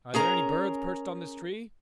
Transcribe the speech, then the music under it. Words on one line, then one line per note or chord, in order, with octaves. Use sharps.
Are there any birds perched on this tree?
C#4 G#4 A#4 A#5